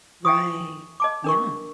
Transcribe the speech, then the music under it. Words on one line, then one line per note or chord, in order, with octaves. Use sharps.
Right, yeah.
E5 G5 G#5 C#6 D#6
D#5 A5 D6
D4 A#4 C#6